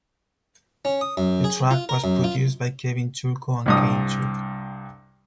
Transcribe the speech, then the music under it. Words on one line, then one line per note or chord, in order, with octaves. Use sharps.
The track was produced by Kevin Churko and Kane Churko.
C#4
D#6
F#2
G#4
F4
A#4
F#2
F4
C2 G2 D#6